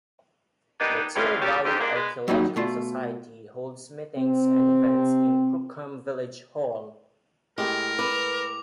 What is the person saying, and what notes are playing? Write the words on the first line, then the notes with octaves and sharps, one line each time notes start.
The Till Valley Archaeological Society holds meetings and events in Crookham Village Hall.
G3 A#3 B3 D4 D#4
C3 E3 G3 G#3 C#4 F4
D#2 A#2 F#3 G3 G4
F2 G#2 G4
G#3 A#3 D4
G#3 B4
F#3 G3 A#3 D#4
B2 A3 F4
C3 C4
A2 G#3 G4 A#4
B4 D6 F7